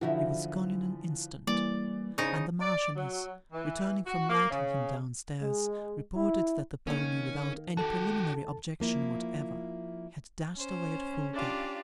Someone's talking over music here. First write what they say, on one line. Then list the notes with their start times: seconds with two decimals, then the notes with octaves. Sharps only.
He was gone in an instant; and the Marchioness, returning from lighting him down-stairs, reported that the pony, without any preliminary objection whatever, had dashed away at full gallop.
0.01 D3 E3 F3 D#4 E4 F#4
1.47 E3 G3 A#3 D5
2.18 C#3 B3 D4 D#4 C5 D#5
2.60 D5
2.96 F#3
3.53 E3
4.06 F#4
4.28 A#3
4.50 C#3
5.42 G#3
6.16 E4
6.87 D#3 A#3 C#4
7.77 F#4 G4 A4 A5
8.80 F3 A#3 E4
10.58 C#4 C5
11.34 D4 F4 G4